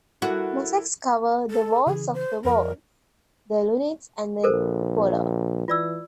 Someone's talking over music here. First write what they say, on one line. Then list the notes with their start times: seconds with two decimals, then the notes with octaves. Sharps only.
Mosaics cover the walls of the vault, the lunettes and the cupola.
0.22 E4 F#4 A4 A#4
1.51 A4
1.87 C#3 E3 G#4
2.14 C5
2.45 F2 F3 A#4
4.44 A#1 A4 A#4 C5
5.68 E3 F4 D5 E6